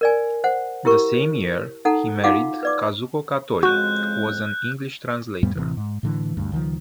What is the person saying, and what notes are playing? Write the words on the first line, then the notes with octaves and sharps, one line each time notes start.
The same year, he married Kazuko Katori, who was an English translator.
A#4 D5 G#5
C5 F#5
E4 G4 A#4 C#6
D#4 A4 F#5 A#5
D#4 F4 F#4 F5 F#5 D6
B4 D5 D6
F2 C#3 G#3 F#4 F#6 G6
F2 A2 G3 B3
A1 G#2 C3 E3
G#2
A2 D3 E3
D#1 D2 G2
C#2 D#3 F3